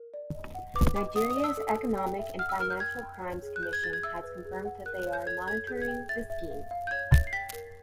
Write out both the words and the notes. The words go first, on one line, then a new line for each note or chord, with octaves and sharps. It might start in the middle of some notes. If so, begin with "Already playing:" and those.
Nigeria's Economic and Financial Crimes Commission has confirmed that they are monitoring the scheme.
Already playing: A#4
D5
D#5
F#5
B4 D6
D#5 D6
F#5 D#6
D#6
D5
E6
A4
A4
G5
E5
F#5 F6
E6
A#4 F6
G6
G5 G#6
G5
C#5
G#4
F#6
G#4 G6
G#6
G#4 A6
G#6
E5 E6
B4
G#4
F#5
A#4 F#6
F#6
C#5
G6
A4 G#6
A4 G#6
G#4 G6
G#6
G5
E5 A6
E5
F5
F5
G6
C#5 G#6
E5 A6
C7
G5 B6
A#4